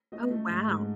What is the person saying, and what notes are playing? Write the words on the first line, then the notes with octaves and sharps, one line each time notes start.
Oh, wow.
A3 D#5
A3
G#2
G#2